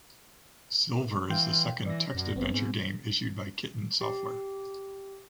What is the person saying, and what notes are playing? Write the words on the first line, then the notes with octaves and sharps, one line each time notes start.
Silver is the second text adventure game issued by Kitten Software.
E3 F5 G5 C6
E3 D5 A#6
F#2
G#1 B3 C4
G#2
G4